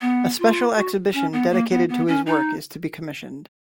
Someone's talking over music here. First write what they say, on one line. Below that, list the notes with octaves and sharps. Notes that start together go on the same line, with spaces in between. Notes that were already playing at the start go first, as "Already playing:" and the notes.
A special exhibition dedicated to his work is to be commissioned.
B3
F4
F#4
C#4
B3
A#3
B3
B3
C#4
D#4